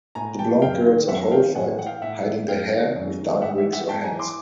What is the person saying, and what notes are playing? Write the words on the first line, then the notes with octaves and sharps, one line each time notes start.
The blonde girls are horrified; hiding their hair with dark wigs or hats.
A2 G#5 A#5
E3 G5 A5
F#2 F5 G5
D#3
F#2 E5 F#5
D#3 F5 G5
A2 F#5 G#5
E3 F#5
F5 G5
A2 E5 F#5
E3
F#2 F5 G5
D#3
F#2
D#3
G#2 E5 F#5
E5
E3
E5 F#5
G#2 G5 A5
G#5 A#5
E3
C6 D6